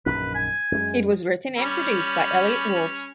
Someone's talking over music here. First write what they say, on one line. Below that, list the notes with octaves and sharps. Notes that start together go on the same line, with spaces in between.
It was written and produced by Elliot Wolff.
A#1 F#2 D#3 B4
G#5
F#2 G#3
G3 C#4 B5